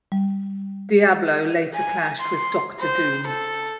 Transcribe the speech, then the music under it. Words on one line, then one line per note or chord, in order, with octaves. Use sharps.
Diablo later clashed with Doctor Doom.
G3
G#5
C6
C5
A4